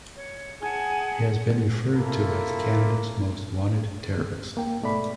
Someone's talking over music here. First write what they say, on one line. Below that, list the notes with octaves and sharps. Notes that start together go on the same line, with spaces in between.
He has been referred to as "Canada's most wanted terrorist".
C#5
G#4 F#5 G#5 A5
A#3 E4 F4 A4
A#3 G5
G#2 B2 A3 D5 B5